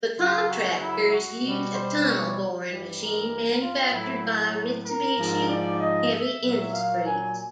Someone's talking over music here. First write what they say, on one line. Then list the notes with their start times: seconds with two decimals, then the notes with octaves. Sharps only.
The contractors used a tunnel boring machine manufactured by Mitsubishi Heavy Industries.
0.17 F#2 C#3 F#3 F4
0.48 F#4
0.80 E4
1.12 F#4
1.42 B2 G3
1.74 C5
2.05 C#5
2.67 G2 E3 G3
2.98 A#4
3.61 F4
3.92 A2 F#3 E4
4.86 A#4
5.18 G#2 F3
5.49 D5
5.80 D#5
6.11 E5
6.43 A#2 F#3
6.73 F5
7.04 G#5